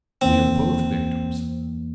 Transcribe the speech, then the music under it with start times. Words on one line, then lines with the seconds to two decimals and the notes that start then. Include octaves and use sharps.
We are both victims.
0.21 E2 E3 A#3 C4 C#4